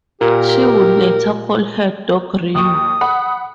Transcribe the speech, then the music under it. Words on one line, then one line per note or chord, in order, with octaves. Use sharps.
She would later call her dog Rio.
A#2 G4 A#4
D#2 C#6 D#6
F#5 B5